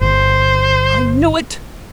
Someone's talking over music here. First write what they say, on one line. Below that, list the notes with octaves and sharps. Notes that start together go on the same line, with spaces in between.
I knew it.
G1 C5